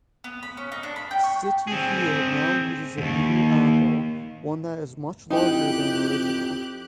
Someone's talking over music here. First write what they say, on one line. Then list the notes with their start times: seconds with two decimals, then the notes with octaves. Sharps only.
Citi Field now uses a new apple, one that is much larger than original.
0.24 B3
0.43 B5
0.57 C#4
0.72 D#4
0.83 D4
0.96 B5
1.11 G5
1.23 C#6
1.67 C4 G#4
2.98 D#2 G#2
5.30 F2 D#4 E4 G4 G5 F#6